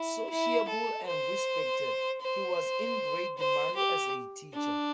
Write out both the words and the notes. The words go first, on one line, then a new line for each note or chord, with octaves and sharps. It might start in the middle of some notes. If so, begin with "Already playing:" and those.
Sociable and respected, he was in great demand as a teacher.
Already playing: E4
E4
A4
C5
C5
C5
G4
D4